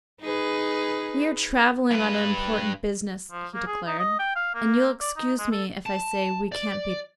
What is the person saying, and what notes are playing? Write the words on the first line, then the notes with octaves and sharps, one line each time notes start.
"We are traveling on important business," he declared, "and you'll excuse me if I say we can't be bothered."
D#4 G#4 B4
G2 B4
F3
A#3
G#4
D#4
D#5
G5
F5
A#3
D5
D#4
G#3
A4
A5
D5